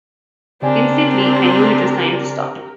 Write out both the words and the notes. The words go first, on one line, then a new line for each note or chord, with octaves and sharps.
Instantly I knew it was time to stop.
C#3 C4 D4 G4 A#4 D5 G#5